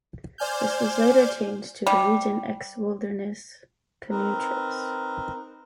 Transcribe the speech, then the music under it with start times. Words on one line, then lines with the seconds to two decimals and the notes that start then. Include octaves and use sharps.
This was later changed to the Region X Wilderness Canoe Trips.
0.38 C5 D5 G#5 F6 G6
1.87 G3
4.10 C4 D#4 A#4 B4